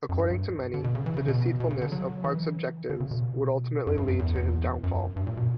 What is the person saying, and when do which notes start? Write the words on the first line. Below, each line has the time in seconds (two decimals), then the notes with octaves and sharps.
According to many, the deceitfulness of Park's objectives would ultimately lead to his downfall.
0.09 F#2
0.19 G2
0.30 G2
0.74 D3
0.84 B2
0.95 C#3
1.06 E3
1.17 C#3
1.28 B2
1.60 B2
1.71 C#3
1.82 D3
1.92 F#3
2.24 E3
2.90 D3
3.00 C#3
3.11 B2
3.87 F#2
3.98 G2
4.08 F#2
4.19 E2
4.35 E2
4.84 F#2
5.16 G2
5.27 A#2
5.37 B2